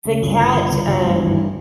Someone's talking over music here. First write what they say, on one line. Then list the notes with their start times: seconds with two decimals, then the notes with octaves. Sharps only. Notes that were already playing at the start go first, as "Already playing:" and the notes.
the cat, um,
0.05 C#3
0.22 G1
0.38 G1
0.55 G1
0.72 G1
0.88 G1
1.04 G2
1.21 G#1